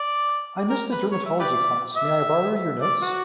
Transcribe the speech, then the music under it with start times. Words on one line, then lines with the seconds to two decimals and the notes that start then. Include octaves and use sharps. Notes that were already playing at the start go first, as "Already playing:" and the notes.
I missed the dermatology class, may I borrow your notes?
Already playing: D5
0.69 A#4
0.90 B4
1.12 C#5
1.25 E5
1.40 G4 B4 D5
1.96 E5
2.81 D5
3.02 F#4